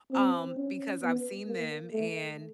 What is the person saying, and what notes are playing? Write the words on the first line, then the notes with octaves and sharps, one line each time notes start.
um, because I've seen them, and
C4
C#4
B3
A#3
A3